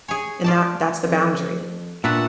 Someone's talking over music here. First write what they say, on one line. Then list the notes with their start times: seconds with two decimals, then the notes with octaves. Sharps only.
and that that's the boundary.
0.08 G#4 C#5 G#5
0.44 F4 D5 A5
1.04 F2
2.04 A#2 D4 F#4 B4 E5 F#5 A5